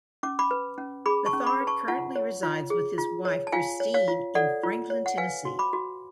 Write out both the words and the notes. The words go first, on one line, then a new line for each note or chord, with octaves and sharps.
Beathard currently resides with his wife Christine in Franklin, Tennessee.
C#4 D6
B5 D6
B4
C#4
G#4 B5 D6
A5 C#6
C#4
B5 D6
B4
A5 C#6
F4 F#5 A5
C#5
F4
G#4
F4
C#5
A5
F4 F5 G#5
C#5
C#5 F5
F4
A4 D5 F#5
F4
C#5
F#5
B4 F5 G#5
F#4
B5 D6
F#4